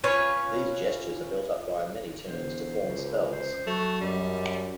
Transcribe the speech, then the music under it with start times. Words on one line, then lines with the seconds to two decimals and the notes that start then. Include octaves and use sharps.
These gestures are built up via many turns to form spells.
0.04 C#4 F4 B4 C#5
2.27 E1 C5
2.83 C#2
3.32 C5
3.67 F#3 A3 F#4
4.01 F#2 G3 D#5